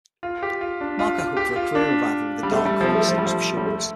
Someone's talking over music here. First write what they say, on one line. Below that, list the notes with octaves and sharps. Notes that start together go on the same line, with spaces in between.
Marco hoped for a career revival with the "Dark Corner" series of shorts.
F4
G4
F4
D4
F4
F4
G4
F4
D4
G3
A3
G3
F3
A3
F3
G3
F3
G3
A3